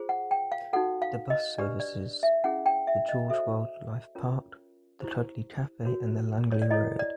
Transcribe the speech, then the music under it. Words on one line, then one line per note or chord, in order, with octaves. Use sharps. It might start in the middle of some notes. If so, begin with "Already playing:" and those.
The Bus services the Gorge Wildlife Park, the Cudlee Cafe and Langley Road.
Already playing: F4 G#4 C5
F#5
G5
F5
D#4 F#4 A4 F#5
F5
D#5
D4 G4 B4 D5
D5
E5
C#4 E4 G#4 F#5
G5
E5
D#5
F#4 A4 C5 E5
C#4 F4 A#4 C#5
E4 G4 C5
F#4 A#4 C#5
C#5
D5
E4 A4 C#5 D#5
D5